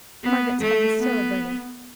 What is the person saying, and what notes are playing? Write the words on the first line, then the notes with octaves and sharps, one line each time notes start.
Margaret's head was still averted.
B3
A3
B3